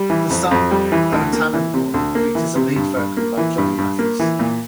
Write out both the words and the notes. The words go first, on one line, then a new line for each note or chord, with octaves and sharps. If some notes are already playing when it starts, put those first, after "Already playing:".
The song "O Tannenbaum" features a lead vocal by Johnny Mathis.
Already playing: G3
E3
F2
F2
G3
E3
D2
A#3
E3
C3
D2
A#3
E3
C3
G2
G2
A#3
E3
G2
G2
A#3
E3
A#2